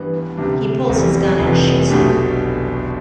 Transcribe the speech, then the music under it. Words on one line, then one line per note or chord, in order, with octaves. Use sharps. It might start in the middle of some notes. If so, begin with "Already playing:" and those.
He pulls his gun and shoots them.
Already playing: G2 E3 B3
D2 C3 G3 D4
F1 E2 C3 G3
F1 E2 C3 F3 B3
B1 B2 A3 D4 G4